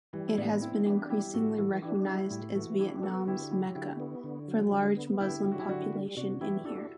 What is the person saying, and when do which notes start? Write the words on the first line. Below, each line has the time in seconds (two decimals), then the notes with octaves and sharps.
It has been increasingly recognized as Vietnam's Mecca, for large Muslim population in here.
0.13 E3 G3
0.28 E4
0.37 A2 B3 D4
0.62 E3 C4 E4
0.86 D4 E4 G4
1.10 G3 E4 G4
1.34 A2 F#4 A4
1.58 E3 F#4 A4
1.82 D4 E4 G4
2.06 G3 E4 G4
2.31 A2 E4 G4
2.55 E3 F#4 A4
2.79 D4 E4 G4
2.96 G4
3.03 B3 F#4 A4
3.27 D3 E4 G4
3.51 F#3 E4 G4
3.75 D3 E4 G4
4.00 B3
4.24 D3
4.48 F#3
4.72 D3
4.96 B3
5.20 D3 E4 G4
5.45 F#3 G4
5.52 F#4
5.59 E4 G4
5.68 D3 D4 F#4
5.93 G3
6.17 C3 D4 F#4
6.41 E3 E4 G4
6.65 D4 F#4 A4